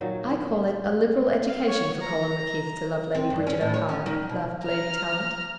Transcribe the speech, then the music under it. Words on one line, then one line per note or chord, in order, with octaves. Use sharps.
'I call it a liberal education for Colin McKeith to love Lady Bridget O'Hara,' laughed Lady Tallant.
A#2 D#3 F#3 D#4
F5
C#5
A#5
C4
G2
C#4
A2
C#5
C#4
D#3
B2
A#5 F6